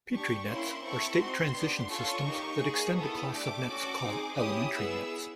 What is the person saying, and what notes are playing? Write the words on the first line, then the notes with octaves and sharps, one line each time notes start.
Petri nets are state-transition systems that extend a class of nets called elementary nets.
D4 G4 C#6
A#3 C#4 E4 C6
C4 E4 A4 C#6
C4 D#4 F#4 C6
B3 D4 G4
C#4 F4 A4 C#6
A#3 D#4 G4
A#3 D#4 G#4
B3 E4 A4 D#6
A3 D4 G4 D6
C#4 F#4 A4
C4 D#4 G#4
C#4 E4 G4 D#6
B3 E4 G#4 E6